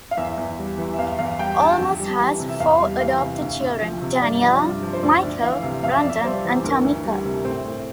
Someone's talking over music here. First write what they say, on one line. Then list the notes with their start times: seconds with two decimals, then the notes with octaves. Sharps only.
Olmos has four adopted children: Daniela, Michael, Brandon, and Tamiko.
0.11 F5
0.17 E2 E5
0.38 E2
0.58 G3
0.78 E3
0.93 E5
0.98 E2 F5
1.19 E2 F5
1.38 G3 G5
1.59 D3 A5
1.79 F2
1.99 G3
2.20 E3
2.40 C3
2.49 E5
2.60 E2 F5
2.80 G3
3.00 E3 F5
3.21 C3
3.41 D2
3.61 D2
3.81 F3
4.02 C3
4.22 G2 D5
4.42 F3
4.62 G2
4.83 F3
4.93 C5
5.03 D2 D5
5.23 D2
5.43 E3 F5
5.63 C3
5.83 F2 F5
5.92 E5
6.01 F2 D5
6.10 E5
6.24 G3 C5
6.45 E3
6.64 D2 A#4
6.84 D2
7.05 G3
7.25 C3
7.45 A2 C4
7.66 A2